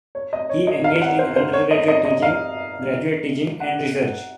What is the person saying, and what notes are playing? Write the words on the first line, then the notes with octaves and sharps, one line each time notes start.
He engaged in undergraduate teaching, graduate teaching, and research.
C#5
D#5
C#5
D#5
F5
F#5
C5
C5
C#5
D#5
D#5
D#5
F5
F#5